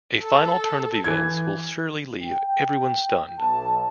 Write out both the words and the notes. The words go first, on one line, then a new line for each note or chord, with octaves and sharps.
A final turn of events will surely leave everyone stunned!
A4
E3 G#6
G5
B1 A5